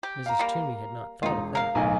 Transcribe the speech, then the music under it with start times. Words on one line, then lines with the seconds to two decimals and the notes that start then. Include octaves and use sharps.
Mrs. Toomey had not thought of that.
0.03 G4
0.26 F5 A#5
0.39 G3 A#3
1.23 E1 D#4 F4
1.55 A#4 F5
1.74 D1 B1 G#5